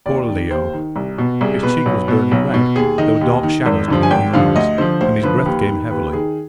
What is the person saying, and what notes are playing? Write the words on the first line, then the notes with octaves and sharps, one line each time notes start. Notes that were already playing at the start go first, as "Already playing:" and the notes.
Poor Leo! his cheek was burning red, there were dark shadows beneath his eyes, and his breath came heavily.
D#2 D5
D#3
D#2 C5
D#3
C2
B2
C2 G#4
B2 B4
B1
B2
B1
B2
D#2 G#4
D#3 D#5
D#2
D#3
G#1
G2 D3 F3
G#5
G#1 G5
G2 D3 F3 F5
D2 D#5
D3 F3 C5
D2 C5
D3 F3 B4
D#2
D#3
D#2 B4
D#3 G#4